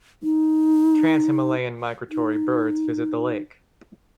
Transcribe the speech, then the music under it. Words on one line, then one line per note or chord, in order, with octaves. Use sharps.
Trans Himalayan migratory birds visit the lake.
D#4
D#4